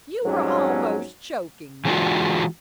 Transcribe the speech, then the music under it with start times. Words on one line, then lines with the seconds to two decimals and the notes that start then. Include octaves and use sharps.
You are almost choking me!
0.24 F2 G#2 F#3 G3 C#4
1.85 E3 G#3 C4 D4 F4 F#4